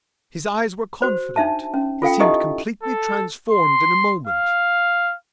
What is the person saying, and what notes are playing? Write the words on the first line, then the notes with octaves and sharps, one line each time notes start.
His eyes were confident. He seemed completely transformed in a moment.
F#4 C5
D4 D#4 E5 A5
C#4
F4 A4 F5 G5
D#4 E4 G4 A4 D#5 E5
A4
C6
F5